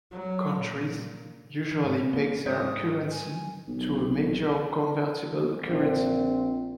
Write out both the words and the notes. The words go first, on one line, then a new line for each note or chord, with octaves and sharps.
Countries usually peg their currency to a major convertible currency.
F#3
A#2
E3
G#2
A#2
A#3
G#2 C#5 D#6
G#5
B1
A#1 C4